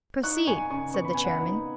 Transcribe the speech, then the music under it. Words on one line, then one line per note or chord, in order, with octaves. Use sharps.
"Proceed," said the chairman.
D#4 C#6 F#6
D#4 G#5 C#6
C#3 G#5 C#6
B3 C#6
B5
B3 G#5
F#5 B5
D#4